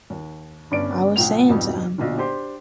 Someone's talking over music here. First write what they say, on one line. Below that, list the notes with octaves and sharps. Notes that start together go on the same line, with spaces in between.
I was saying to 'em.
D#2
G1 G2 C#4 D4 D5 D7
C2 A2 F3 G5 F7
G#1 F2 B2 G3 D#4
B1 A#2 D3
D4 G4 C5 C6